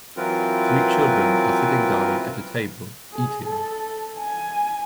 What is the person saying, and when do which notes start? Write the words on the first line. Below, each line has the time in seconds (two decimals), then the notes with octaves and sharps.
Three children are sitting down at a table eating.
0.17 E3 F#3 C4 F4 A#4 B4
3.12 G#4
3.44 A4
4.17 G#5